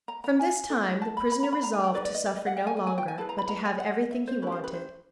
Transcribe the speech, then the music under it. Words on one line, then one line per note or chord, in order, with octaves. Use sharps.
From this time the prisoner resolved to suffer no longer, but to have everything he wanted.
A#5
A#5
G#5
E4 A4
A5
B5
B5
A#5
B5
A#5
G#5
G5
D#4 G#4 B4 D5
D5
D#5
D5
D#5
F#5
G5
G#5
G#5
G#5
G5
G#5
E4 G#4 B4 A5
A#5
B5
A#5
G#5
F#5
E5
C5
C#4 E4 G4 B4
C5
B4
C5